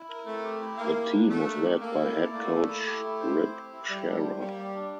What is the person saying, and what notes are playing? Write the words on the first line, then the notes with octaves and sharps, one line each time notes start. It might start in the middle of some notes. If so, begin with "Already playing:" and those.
The team was led by head coach Rip Scherer.
Already playing: E4
A#4
A3 C4
G4
E4
A#3 A#4
G4
D4
A3 D4
A#4
G4
A#3 A4
E4
D5
A3 A#3
A4
E4
G4
E4
C5
C4
G4
E4
G3 G4
D4
C5
G3 A#3
G4
D4